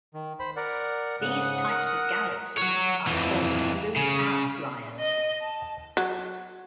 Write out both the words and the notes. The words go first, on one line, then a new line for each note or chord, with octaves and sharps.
These types of galaxies are called "blue outliers".
D#3
C5 B5
A#4 D5 F#5
G#2 C#3 F#5 D#6 F#6
A#4
C#5 F#5
F2 E3
C#3
D#5
A5
F#3